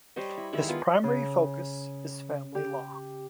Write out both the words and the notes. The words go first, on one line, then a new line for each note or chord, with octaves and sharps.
His primary focus is family law.
G3 C5 C#5 D#5
E4
D#3 G3 G#3 E4
B3 F4 G#4
C#3
G4